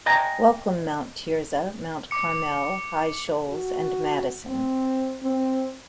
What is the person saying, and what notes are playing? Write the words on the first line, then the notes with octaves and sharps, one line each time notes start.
Welcome, Mount Tirzah, Mount Carmel, High Shoals, and Madison.
D#5 G5 G#5 A#5
D6 C#7
F#4
C4
C4